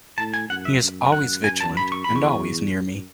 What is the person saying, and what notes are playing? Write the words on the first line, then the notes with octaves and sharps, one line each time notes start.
He is always vigilant and always near me.
A2 A5
G#5
F#2 F#5
E5
F#2
F#5
G#5
A5
B5
C#6
E2 B5
C#6
F#2